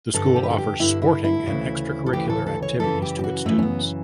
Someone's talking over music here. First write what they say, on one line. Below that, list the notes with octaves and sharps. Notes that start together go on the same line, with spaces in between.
The school offers sporting and extracurricular activities to its students.
G2 D3 A4
G4
B4
A4
G4
G2 D3 E4
E4
E4
D2 C#3 E3
A4
D2 C#3 E3 G4
A4
A4
C#5
F#2 C#3 E3 A4
G4
G4
F#4
F#2 C#3 E3 A3
C#4
B3